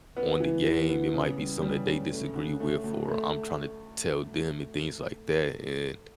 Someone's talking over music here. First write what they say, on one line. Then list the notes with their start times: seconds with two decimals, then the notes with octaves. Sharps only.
on the game, it might be something that they disagree with or I'm trying to tell them and things like that, and,
0.17 B3
0.40 E3
0.65 E3
0.89 B3
1.14 C#3
1.38 G3
1.62 G3
1.86 C#3
2.11 A3
2.36 D3
2.60 A3
2.84 D2
3.08 A3